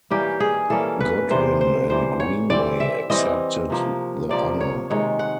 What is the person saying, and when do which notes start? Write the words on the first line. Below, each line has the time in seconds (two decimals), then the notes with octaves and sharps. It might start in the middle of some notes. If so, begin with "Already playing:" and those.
Goodwyn and Greenway accepted the honour.
0.10 E3 G3 A#3 C#4 G4
0.40 G#4
0.70 E3 G3 A#3 C#4 A4
1.00 B4
1.30 C3 E3 G3 C5
1.61 C5
1.90 C3 E3 G3 C5
2.20 C#5
2.50 E3 G3 C4 D5
2.80 E5
3.10 E3 G3 C4 D#5
3.70 C3 F3 A#3
4.29 C3 F3 A#3 D5
4.61 C#5
4.90 C3 D#3 G#3 C#5
5.19 F#5